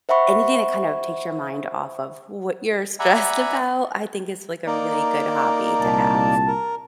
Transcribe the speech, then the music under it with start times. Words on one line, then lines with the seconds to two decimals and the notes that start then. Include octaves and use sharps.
anything that kinda takes your mind off of what you're stressed about, I think is, like, a really good hobby to have.
0.09 C5 E5 F#5 B5 C#6
3.00 D5 E5 F#5 G#5 A#5 B5
4.67 A#3 D#4 D5
5.80 C2 A#2 A5
6.48 A#4